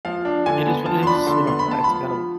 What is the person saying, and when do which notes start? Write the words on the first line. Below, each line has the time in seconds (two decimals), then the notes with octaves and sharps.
It is what it is, you know, I had to kind of,
0.05 F3 F5
0.25 D4
0.46 D3 G#5
0.66 B3
0.86 F3 A5
1.03 C6
1.07 D4 B5
1.27 D3 C6
1.47 B3 C6
1.59 B5
1.68 B3 A5
1.84 F3 B5
2.08 F3